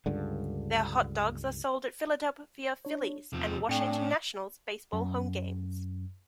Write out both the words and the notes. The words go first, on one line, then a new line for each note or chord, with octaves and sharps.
Their hot dogs are sold at Philadelphia Phillies and Washington Nationals baseball home games.
C#2 G2 D3
D4 C#5
E2 C3 F3
A2 C4 D4 G5 G#5
F#2